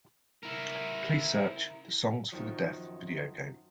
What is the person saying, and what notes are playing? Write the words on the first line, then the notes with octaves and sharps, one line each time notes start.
Please search the Songs for the Deaf video game.
E4 A#4
F#2 D#3 F3 F#3